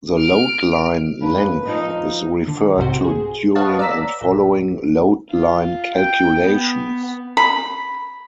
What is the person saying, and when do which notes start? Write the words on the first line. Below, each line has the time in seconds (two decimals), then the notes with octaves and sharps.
The load line length is referred to during and following load line calculations.
0.18 F6 D7
1.21 F#2 A#3 D4 B4
1.65 F3 A#3 D#4 D#5
2.48 D3
2.77 C2 G#2 C3 F#4 C5
3.04 G#4
3.55 B4 C#5 D#5 F5 F#5 A5
3.79 D5 A#5 E6 B6
4.21 A#1
5.31 F4
5.94 G5
6.46 B3
7.37 B5